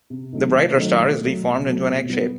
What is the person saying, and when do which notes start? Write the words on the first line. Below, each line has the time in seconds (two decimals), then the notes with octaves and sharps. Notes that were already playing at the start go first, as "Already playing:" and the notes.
The brighter star is deformed into an egg shape.
0.10 C3
0.33 D#3 F#3 A3
0.55 C3
0.77 D#3 F#3 A3
0.99 B2
1.21 F#3 A3
1.43 B2
1.65 F#3 A3
1.87 B2
2.09 G3 B3